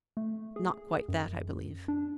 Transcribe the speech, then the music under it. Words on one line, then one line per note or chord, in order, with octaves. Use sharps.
"Not quite that, I believe."
A3
G#4
F#2
D4